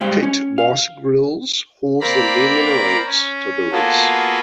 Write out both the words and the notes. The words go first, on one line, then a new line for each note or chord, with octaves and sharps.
Pit Boss Grills holds the naming rights to the race.
G3 G#3 C5 F5 G5
C#4
F5
A#3 C4 A#4 D5 A#5 B5
C#4
A#3 B3 F4 F#4 G#4 A4